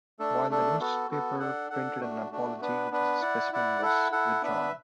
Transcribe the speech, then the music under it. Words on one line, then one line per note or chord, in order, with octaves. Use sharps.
While the newspaper printed an apology, the specimen was withdrawn.
A3 D4 A4
A3 D4 A4
B3 F#4 A4
B3 F#4 A4
D4 A4 F#5
D4 A4 F#5
A3 D4 F#4
A3 D4 F#4
B3 D4 B4
B3 D4 B4
E4 D5 F#5
E4 D5 F#5
E4 A4 F#5
E4 A4 F#5
B3 D4 B4 E5